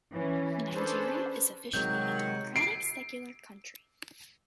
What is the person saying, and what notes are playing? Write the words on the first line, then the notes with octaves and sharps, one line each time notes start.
Nigeria is officially a democratic secular country.
E3 C#4
C#4 D4 G#4 A4 B4 C5
C3 D#3 F#3 G#3 G6
C7 D7